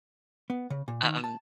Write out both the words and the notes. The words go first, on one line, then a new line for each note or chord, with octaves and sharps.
Uh um,
B3
C#3
A#2
D#3
A5